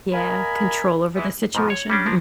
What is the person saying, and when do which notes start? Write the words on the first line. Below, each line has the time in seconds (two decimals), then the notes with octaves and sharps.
yeah, control over the situation,
0.12 A#3 A#4 D#5 G#5 B5
1.15 E3 G#3 B3 E4
1.55 G#2 B2 F3
1.70 C#5
1.90 G3 C#4 D4
2.06 F3 A#3 D4